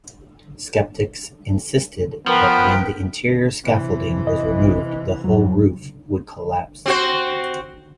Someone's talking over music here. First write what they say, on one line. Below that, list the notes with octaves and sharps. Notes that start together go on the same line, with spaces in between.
Skeptics insisted that when the interior scaffolding was removed, the whole roof would collapse.
F3 B3 A#4 B4 G5
C3 E3
D#5
F2 F#3
C4 F#4 C5